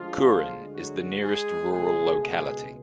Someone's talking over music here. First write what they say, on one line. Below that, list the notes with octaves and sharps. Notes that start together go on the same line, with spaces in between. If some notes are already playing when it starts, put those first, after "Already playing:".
Kurin is the nearest rural locality.
Already playing: D2 D3 F3 G#3 F4
F#3 F#4
G#3 G#4
C#2 B2 G#3 A3 G#4
G#3 G#4